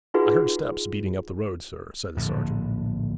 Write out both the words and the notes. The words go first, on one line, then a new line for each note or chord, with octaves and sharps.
'I heard steps beating up the road, sir,' said the sergeant.
D#4 F4 F#4 G#4 B4 F#5
D1 A#1 D3